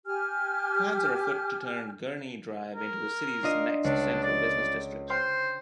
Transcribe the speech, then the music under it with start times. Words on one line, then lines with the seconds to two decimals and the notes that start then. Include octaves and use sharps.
Plans are afoot to turn Gurney Drive into the city's next Central Business District.
0.06 G4 G#5 F6
2.74 A#4
3.43 D4 F4 D#5
3.84 C#2 D4
4.23 D5
5.10 C5 G5 C6 F6